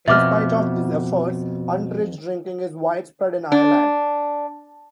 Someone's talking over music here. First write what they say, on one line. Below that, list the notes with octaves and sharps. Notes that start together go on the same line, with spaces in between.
In spite of these efforts, underage drinking is widespread in Ireland.
F2 B2 B3 E5 D6 F6
D4